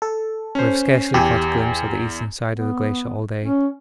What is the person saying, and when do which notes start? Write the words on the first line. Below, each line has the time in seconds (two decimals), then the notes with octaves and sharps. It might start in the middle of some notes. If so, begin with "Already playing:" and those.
We have scarcely caught a gimpse of the eastern side of the glacier all day.
0.02 A4
0.55 C#4 C5
1.14 E2 G4 G#5
2.52 B3
3.44 C#4